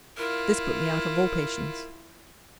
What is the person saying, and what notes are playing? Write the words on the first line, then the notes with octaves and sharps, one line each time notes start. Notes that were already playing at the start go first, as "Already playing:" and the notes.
This put me out of all patience.
E4 F4 A#4